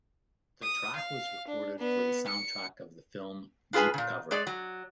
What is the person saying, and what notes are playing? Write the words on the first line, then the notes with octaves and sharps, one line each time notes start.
The track was recorded for the soundtrack of the film "Deep Cover".
D#6
F5
D4
B3
C#7
D4 F4 G#4 B4 G#5
A#2 C#3
G#3 G#4 C#5 D5
F#3